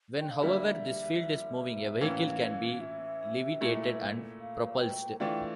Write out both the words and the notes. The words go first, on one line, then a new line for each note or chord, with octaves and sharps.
When however this field is moving, a vehicle can be levitated and propulsed.
G5
F5
D3 G3 A#3 E5
A2 E3 A#3 C#4 F5
E5
A#2 A3 E4
F5
G5
E3 A3 D4 F4 G5